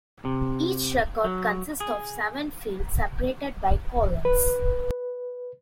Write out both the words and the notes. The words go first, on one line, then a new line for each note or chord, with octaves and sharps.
Each record consists of seven fields separated by colons.
C3
F#3
G#4
B4